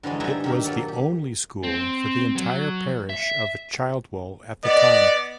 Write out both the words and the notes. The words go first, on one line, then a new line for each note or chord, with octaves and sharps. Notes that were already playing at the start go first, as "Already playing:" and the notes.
It was the only school for the entire parish of Childwall at the time.
D3 E3 F#3 G#3
G2 D3 D#4 G#4 E5 G5
D#3 A#3 E5
A#2 F#3 A#3 A4
G4
C4
F#3
E5
B3 D5 D#5